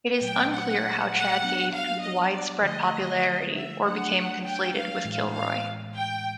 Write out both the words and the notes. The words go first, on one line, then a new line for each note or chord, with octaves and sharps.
It is unclear how Chad gained widespread popularity or became conflated with Kilroy.
A#2 F#3 A3 G5
F#5
F#5
F#3 B3 D4
F5
D#5
D5
D3 F3 A3 D#5
E5
F#3 A3 D4 F#5
G5
F5
A2 E3 G#3
F5
G5